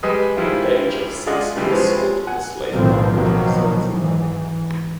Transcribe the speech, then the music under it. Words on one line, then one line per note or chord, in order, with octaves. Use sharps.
At the age of six he was sold in the slave market of Zanzibar.
G3 G#3 B4 D#5 G#5
D#3 F3 G3 G#3 E4 F4
G#3 F4 D5 D#5 F#5
B2 D3 E3 G3 G#3
F3 G#3 C4 B4 C#5
F#5 G#5
B1 A2 D3 D#3 F3 C4
B2 D#3 F3 F#3 A#3
G#2 E3